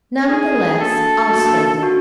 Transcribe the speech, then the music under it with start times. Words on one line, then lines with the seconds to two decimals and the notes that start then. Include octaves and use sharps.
None the less I'll slate him.
0.30 C4 E4 G#4 A4
0.80 A#3 D4 F#4 A4
1.32 A#3 D4 F#4
1.83 D4 F#4